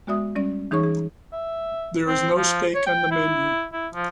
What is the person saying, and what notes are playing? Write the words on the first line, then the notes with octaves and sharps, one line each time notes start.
There is no steak on the menu.
G#3 B3 F#4 D5 E5 D#6
G3 C#4 D5
E3 D#4 G#4 C#5 C#6
G#4
E5
C4
F3
C#5
G5
E4
E4
F3